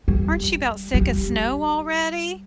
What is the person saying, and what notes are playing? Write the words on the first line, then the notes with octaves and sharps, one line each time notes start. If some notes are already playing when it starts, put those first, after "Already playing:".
aren't you 'bout sick of snow already?
G3
G3